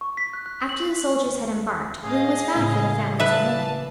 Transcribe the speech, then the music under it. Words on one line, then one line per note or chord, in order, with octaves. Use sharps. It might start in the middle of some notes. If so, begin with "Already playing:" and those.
After the soldiers had embarked, room was found for the families of many.
C#6
B6
F#6
F#6
F#7
D#2
A2 C#4 G#4 D#5 F5
A2 C#3 A#3
B4 D5 E5 F5 A5